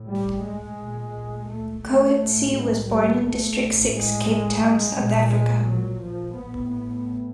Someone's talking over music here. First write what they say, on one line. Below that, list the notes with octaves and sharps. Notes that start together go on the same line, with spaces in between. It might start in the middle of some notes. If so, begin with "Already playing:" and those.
Coetzee was born in District Six, Cape Town, South Africa.
Already playing: A2
G3
G#3
A#2
A3
A3
A2
G#3
G3
A3
A2
G#3
A#2 G#3
G#3
F#3
F3
A2 B3
B3